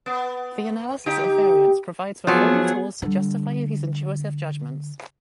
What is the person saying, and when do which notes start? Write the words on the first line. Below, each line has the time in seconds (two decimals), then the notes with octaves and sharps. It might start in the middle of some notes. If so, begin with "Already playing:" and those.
The analysis of variance provides the formal tools to justify these intuitive judgments.
0.06 B3
1.06 D3 D#4 G4
2.27 F3 F#3 B3 G#4
3.02 D3 G3